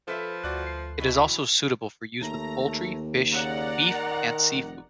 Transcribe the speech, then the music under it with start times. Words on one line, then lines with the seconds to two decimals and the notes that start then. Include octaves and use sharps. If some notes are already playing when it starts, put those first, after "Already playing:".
It is also suitable for use with poultry, fish, beef, and seafood.
0.08 F3 A4 B4 E5
0.44 D2 F#4 D5 F#6
0.67 C7
0.98 B2 E3 F#3
2.22 D#2 A3 A#5
3.31 C#3 D5 F#5 A#5
3.89 D#3
4.53 F1